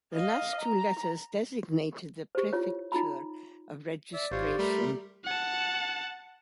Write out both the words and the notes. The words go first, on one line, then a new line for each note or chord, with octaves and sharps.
The last two letters designated the prefecture of registration.
D#5 F5
A#5
G4 C5
E4 F4 C#5
D#4 F4 A#5 B5
D5 E5
G#1 F4 G4 C5 C#5
G3 A3 A#4 B5 C6
F#5 A5